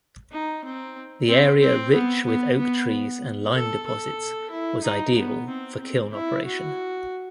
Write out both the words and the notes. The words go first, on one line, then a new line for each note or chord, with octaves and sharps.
The area rich with oak trees and lime deposits was ideal for kiln operation.
D#4
C4
C4
C4
B3
B3
B3
A4
A4
E4
D#4
B3
C4
C4
E4
F#4